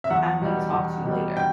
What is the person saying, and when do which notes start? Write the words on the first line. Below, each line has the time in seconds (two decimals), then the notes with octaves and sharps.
"I'm gonna talk to you later,"
0.04 E5
0.10 E2 F#5
0.42 B2 G3
0.73 E2
1.05 B2 G3
1.37 G5